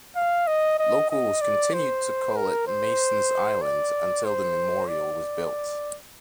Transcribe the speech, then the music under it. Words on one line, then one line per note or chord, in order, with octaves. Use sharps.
Locals continued to call it "Mason's Island" until the memorial was built.
F5
D#5
D#5
D#5
D5
C5
A#4
C5
D5
C5
D5